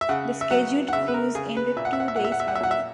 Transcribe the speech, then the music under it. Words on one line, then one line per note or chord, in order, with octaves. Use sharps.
The scheduled cruise ended two days early.
E5
C#3 F#5
E5
F#3 F#5
F#5
C#3 E5
B4
A#4
C#3 G#4
B4
A#2 E5
F#5
E5
F#5
E5
F#5
A#2
E5
F#5
E5
F#5
E5
A#2 F#5
E5